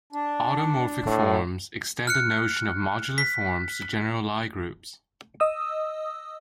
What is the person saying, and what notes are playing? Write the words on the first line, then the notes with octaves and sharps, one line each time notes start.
Automorphic forms extend the notion of modular forms to general Lie groups.
D4
A2
F6 F#6 C#7
B6
D#5 D#6 E6